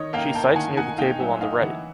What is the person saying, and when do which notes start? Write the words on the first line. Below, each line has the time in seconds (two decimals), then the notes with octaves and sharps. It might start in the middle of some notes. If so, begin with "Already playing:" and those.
She sites near the table on the right.
Already playing: D#3 C#5 D#5
0.13 A#3 F5 G5
0.34 A#3 G5 A5
0.55 D#3 F#5 G#5
0.77 D#4 F#5 G#5
0.98 D#4 F5 G5
1.20 F#3 E5 F#5
1.41 D#4 D#5 F5
1.62 E3 E5 F#5